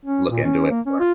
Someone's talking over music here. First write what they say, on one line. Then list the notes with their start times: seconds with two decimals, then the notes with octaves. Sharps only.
look into it more.
0.06 C#4
0.30 A#2
0.45 C#4
0.70 A#3
0.86 C#4
1.00 F4